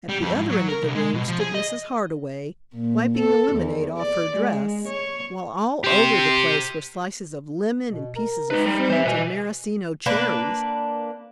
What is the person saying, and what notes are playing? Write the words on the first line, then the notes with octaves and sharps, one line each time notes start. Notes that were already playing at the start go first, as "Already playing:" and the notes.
At the other end of the room stood Mrs. Hardway, wiping the lemonade off her dress, while all over the place were slices of lemon and pieces of fruit and Maraschino cherries.
G3
F2
G#2
F#3
A#4
C2
G#3
B2
F3
G#4
D#5
A#2
A4
E2
D5
G#3
C#5
G4 C5
B2
A#4
G#3 D#4 B4
G3
E3 C5 E5
B2 B4 G#5
A#3 D4 B4